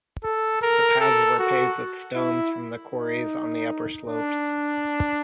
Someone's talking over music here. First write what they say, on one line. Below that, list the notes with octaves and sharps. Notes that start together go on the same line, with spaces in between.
The paths were paved with stones from the quarries on the upper slopes.
A4
A#4
A4
F#4
E4
D#4
D4